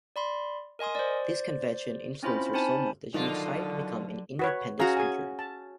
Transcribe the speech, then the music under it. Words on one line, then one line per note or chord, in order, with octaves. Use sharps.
This convention influenced her so much that she decided to become an independent speaker.
D5 B5 C6
A#4 D#5 G#5 C6 D#6
C5 D5
C4 C#4 E4 F4 C5 B5
C4 D#4 C5 G#5 A5 B5
B2 D3 D#3 F#3 F4
F#4 B4 C#5
C#4 F#4 G#4 F5 A#5
G#4 G#5
A5